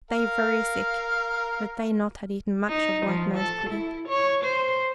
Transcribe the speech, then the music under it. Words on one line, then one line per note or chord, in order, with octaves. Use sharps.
They very sick, but they not had eat much of white man's pudding.
A#4 F5
D#4
F3
A4
E4
C#5
C5